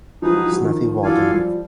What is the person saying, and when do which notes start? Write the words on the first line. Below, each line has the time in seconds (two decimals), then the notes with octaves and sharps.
Snuffy Walden.
0.22 F3 D#4 G#4 B4
0.33 F#3
0.41 F3
0.52 F#3
0.61 D#3 F3
1.03 E3 F#3 F4 A4 D5 F5 G#5
1.22 F#3
1.30 F3 G3